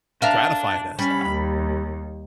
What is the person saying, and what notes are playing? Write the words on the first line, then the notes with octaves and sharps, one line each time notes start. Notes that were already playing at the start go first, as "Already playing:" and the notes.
gratify it as that?
D4 A#4 E5 F5
G3 C#4 B5
D#2